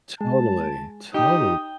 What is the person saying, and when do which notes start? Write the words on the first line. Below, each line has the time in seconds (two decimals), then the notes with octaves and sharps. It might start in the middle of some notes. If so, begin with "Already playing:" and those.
Totally, total
0.21 G#3 A5
1.14 D#4 G4 G5 D#6